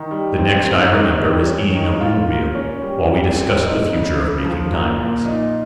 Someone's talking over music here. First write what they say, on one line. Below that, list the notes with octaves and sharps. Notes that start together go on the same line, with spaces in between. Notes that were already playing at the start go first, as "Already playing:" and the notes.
The next I remember is eating a rude meal, while we discussed the future of making diamonds.
Already playing: D#3
G3
C4
D#3
D#3
G3
C#4
D#3
F4
A#3
C#4
G3
G3
C4
D#4
C#3
C#3
F3
A#3
A#2
D#4